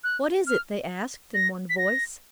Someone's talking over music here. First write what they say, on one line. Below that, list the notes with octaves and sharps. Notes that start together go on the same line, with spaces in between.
"What is it?" they asked, in one voice.
F#6
F6
A#6
B6
A#6